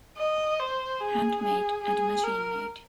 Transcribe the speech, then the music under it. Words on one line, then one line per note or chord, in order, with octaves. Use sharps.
Handmade and machine-made.
D#5
C5
G#4
G#4
G#4
A#4